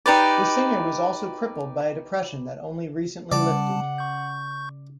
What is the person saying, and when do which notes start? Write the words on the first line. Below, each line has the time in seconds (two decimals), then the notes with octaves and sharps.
The singer was also crippled by a depression that only recently lifted.
0.06 D#4 G4 B4 D5
3.32 C#3 G3 D5 F#5 A5
3.98 C#6 G6